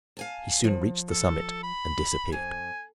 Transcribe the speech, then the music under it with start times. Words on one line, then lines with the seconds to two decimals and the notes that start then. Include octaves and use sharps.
He soon reached the summit, and disappeared.
0.17 F5 G#5 A5
0.64 F3
1.10 A4
1.63 B5
2.32 F2 G#5